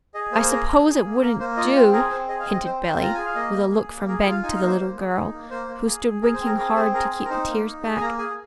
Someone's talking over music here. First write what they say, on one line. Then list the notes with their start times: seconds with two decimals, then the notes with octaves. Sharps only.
"I Suppose it wouldn't do--" hinted Billy, with a look from Ben to the little girl, who stood winking hard to keep the tears back.
0.14 G#4 D#5
0.31 A#3 C5
0.43 C5
0.50 G#4 A#4
0.68 G#4
0.86 G#4
1.04 A#3
1.22 A#3 A#4
1.40 A#3 C5
1.57 F4 D#5
1.75 C4 C5
1.92 G#4 A#4
2.11 C4 C5
2.28 G#4 D#5
2.40 F5
2.46 C4
2.53 D#5
2.64 C4 C5
2.83 C4 C5
3.00 F4 A#5
3.14 G#4 G#5
3.25 F5
3.35 A#3 D#5
3.54 A#3
3.71 G#4
3.90 A#3
4.08 G#4 A#4
4.19 A#4
4.26 F4
4.31 F5
4.43 D#4 G#5
4.55 F5
4.61 A#3
4.67 C5
4.79 A#3
4.98 G#4
5.15 D#4
5.33 A#3
5.50 A#3 C5
5.68 A#3
5.86 G#4
6.05 G#4
6.22 G#4 A#4
6.34 C5
6.39 C4
6.46 A#4
6.58 G#4 A#4
6.76 C4 C5
6.93 G#4 A#4
7.11 C4
7.25 A#4
7.30 D#4 C5
7.48 A#3
7.65 D#4
7.82 G#4
7.96 G#5
8.01 A#3 A#5
8.18 G#4 G#5